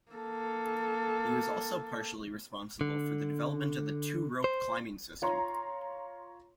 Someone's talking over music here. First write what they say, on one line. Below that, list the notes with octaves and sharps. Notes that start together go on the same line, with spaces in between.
He was also partially responsible for the development of the "two rope" climbing system.
A#3 A4
D3
C5
F4 C#5 A#5 C6